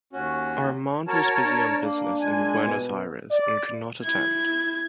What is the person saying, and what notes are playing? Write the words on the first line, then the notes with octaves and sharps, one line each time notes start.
Armand was busy on business in Buenos Aires and could not attend.
D#2 C#4 F#4
F#4 A#4 C#5 A5
D4
A#3
A#2 G#3 G#5
B2
D5
E4 G#6